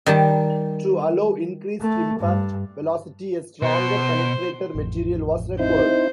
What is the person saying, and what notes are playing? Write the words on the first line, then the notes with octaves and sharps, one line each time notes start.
To allow increased impact velocity, a stronger penetrator material was required.
D#3 G3 A5
A3
G2
B2 C5
A1 F2
C4 D#4 E4 C5